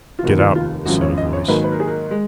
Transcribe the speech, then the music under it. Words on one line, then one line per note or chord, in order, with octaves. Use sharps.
"Get out," said a voice.
F4
F1 D#2 D#3 F#4
F4
F4
G#1 F#2 F3 F#4
C#5
D#5
C#5
G#2 D#3 F#3 A#3 B4
B4
A#4
G#4
A#4
G#3